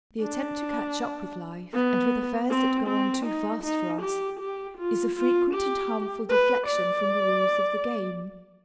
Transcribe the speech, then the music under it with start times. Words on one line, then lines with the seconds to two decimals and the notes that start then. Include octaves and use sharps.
The attempt to catch up with life and with affairs that go on too fast for us is a frequent and harmful deflection from the rules of the game.
0.21 D4
1.74 B3
2.50 C4
2.87 C4
3.26 D#4
3.64 D#4
4.02 G4
4.40 G4
4.78 F4
5.15 F4
5.54 G4
6.30 B4
6.68 D5